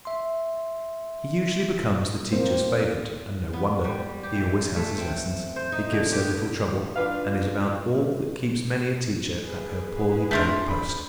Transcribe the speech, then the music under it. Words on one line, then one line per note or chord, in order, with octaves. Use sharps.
He usually becomes the teacher's favorite and no wonder: he always has his lessons, he gives her little trouble and is about all that keeps many a teacher at her poorly paid post.
E5 C6
A#3 C4 C5
B3
G3
G4
E3
A3
C4
C5
D#4
D3
G4
D4 F4 B4 F5
G#4 B4
A3 D4 A#4 C6 G6 B6
B5